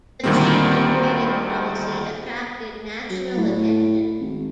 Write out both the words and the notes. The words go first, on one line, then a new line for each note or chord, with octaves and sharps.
The change in grading policy attracted national attention.
D2 A#2 D#3 G3 A#3 C4
F#3
A2
G#1